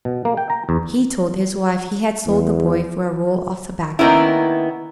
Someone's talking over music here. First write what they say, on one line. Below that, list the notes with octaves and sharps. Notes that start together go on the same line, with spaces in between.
He told his wife he had sold the boy for a roll of tobacco.
B2
A#3
G5
A#5
E2
E2
D#3 A#3 B3 C#4 E4